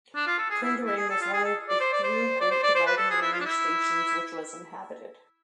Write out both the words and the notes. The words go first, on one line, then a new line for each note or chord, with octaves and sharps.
Kunderang was one of the few Great Dividing Range stations which was inhabited.
D4
F4
A4
G#4
E4
E4
G#4
A4
F4
G#4
A4
D5
C5
D5
C5
D5
C5
D5
C5
B4
A4
G#4
E4
F4
D4
E4